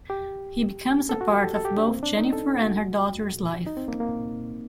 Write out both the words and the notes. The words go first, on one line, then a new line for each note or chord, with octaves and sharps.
He becomes a part of both Jennifer and her daughter's life.
G4
A4
F#4
G4
A4
A4
G4
D4
C4
D4
D#4
A4
F#4
D#4
C4
A#3
A#3